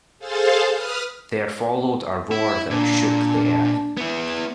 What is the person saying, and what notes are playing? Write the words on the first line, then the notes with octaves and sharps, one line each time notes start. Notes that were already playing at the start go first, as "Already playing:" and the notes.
There followed a roar that shook the earth.
G#4 A4 C5 F5 A5
B4 D#6 F6
E4
A#2 D4
B3 E4